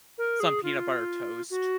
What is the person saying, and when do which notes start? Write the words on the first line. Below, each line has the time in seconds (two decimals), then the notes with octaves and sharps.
some peanut butter toast.
0.18 A#4
0.40 G#4
0.63 F4
1.50 F#4